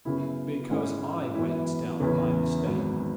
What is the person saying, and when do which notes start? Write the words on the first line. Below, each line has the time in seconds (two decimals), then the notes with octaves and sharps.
"Because I went down by mistake."
0.05 F#2 C#3 F#3 B3 E4
0.70 G#2 G#3 C#4 E4
1.35 F#2 E3 B3 E4
2.00 E2 C#3 E3 C#4 E4
2.65 G#1 G#2 F#3 B3